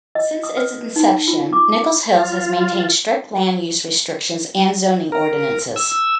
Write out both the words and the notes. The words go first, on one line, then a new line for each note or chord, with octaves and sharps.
Since its inception, Nichols Hills has maintained strict land use restrictions and zoning ordinances.
D#5
D#6
B4
D#4
F4
D6
F4
A#4
E6